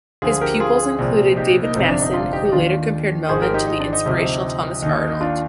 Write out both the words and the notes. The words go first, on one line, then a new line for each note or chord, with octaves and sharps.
His pupils included David Masson who later compared Melvin to the inspirational Thomas Arnold.
D2 D3 F3 F4 G#4
G4 A#4
F4 G#4
C2 A#2 F3
D#4 G4
D#4
G1 F2 C3 F3 D#4
D4
D#4
D4 F4
D#4 G4
D#4
D#2 D#3 D4 F4
G#1 G#2 F3 G#4 C5
G4 A#4
D#4 G4
D#4
D4
D#4
D2 C3 F3
D#2 D#3 D#4
D#4
D#4
D4 F4